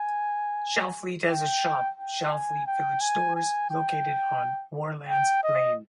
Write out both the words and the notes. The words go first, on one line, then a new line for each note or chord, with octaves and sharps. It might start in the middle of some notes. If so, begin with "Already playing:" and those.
Shalfleet has a shop, Shalfleet Village Stores, located on Warlands Lane.
Already playing: G#5
G5
G5
G#5
G5
G#5
G#5
G5
G5
D#5